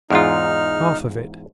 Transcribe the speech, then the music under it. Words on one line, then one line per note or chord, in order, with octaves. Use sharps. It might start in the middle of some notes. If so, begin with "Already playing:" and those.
"Half of it."
E2 G#2 D#4 F4 F6